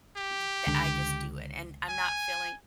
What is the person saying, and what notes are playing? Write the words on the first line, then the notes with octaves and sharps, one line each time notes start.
th the I just do it and I'm not feeling
G4
C#2 D3
G#5